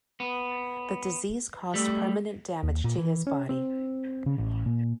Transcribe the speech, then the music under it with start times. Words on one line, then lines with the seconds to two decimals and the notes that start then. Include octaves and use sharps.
The disease caused permanent damage to his body.
0.20 B3
1.74 G3 A3
2.63 D#2
2.84 A#2
2.98 E3
3.27 C#4
3.49 C4
4.26 C#3
4.38 A1
4.66 A#2